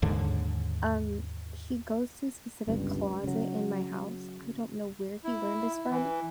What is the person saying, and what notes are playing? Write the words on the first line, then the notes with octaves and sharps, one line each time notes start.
um, he goes to a specific closet in my house, I don't know where he learned this from,
D#2 G#2 D3
G1 C#2 G2
C#3 F#3
E4
E3